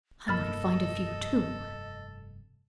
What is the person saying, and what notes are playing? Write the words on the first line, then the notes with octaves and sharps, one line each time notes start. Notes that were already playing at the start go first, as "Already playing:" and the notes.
"I might find a few, too."
F1 G2 A#3 A4 D#5 B5 F6 A6